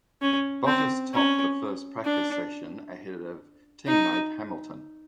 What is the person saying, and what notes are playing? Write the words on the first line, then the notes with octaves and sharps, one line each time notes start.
Bottas topped the first practice session ahead of teammate Hamilton.
C#4
C4
C#4
D4
D#4